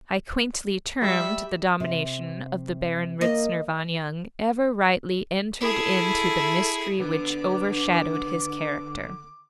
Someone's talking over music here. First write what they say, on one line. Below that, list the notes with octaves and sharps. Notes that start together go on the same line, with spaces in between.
I quaintly termed the domination of the Baron Ritzner von Jung, ever rightly entered into the mystery which overshadowed his character.
G3 E5
C3
A#3 D#5
E4 G#4 A4
D3 B3 D6